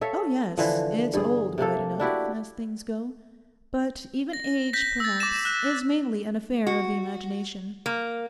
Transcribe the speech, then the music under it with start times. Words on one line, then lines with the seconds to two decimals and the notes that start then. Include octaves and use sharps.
'Oh yes, it's old right enough, as things go; but even age, perhaps, is mainly an affair of the imagination.
0.01 A4 C#5 E5 F5
0.58 D3 E3 F3
1.14 G2 G#4
1.58 C3 A3 A#3 A4
2.00 D4 E4 F#4 G4
4.33 A#6
4.73 G6 A#6 B6
5.00 E6 A6
5.20 D6 A#6 E7
5.45 F#6 E7
6.67 F#4
7.86 A#3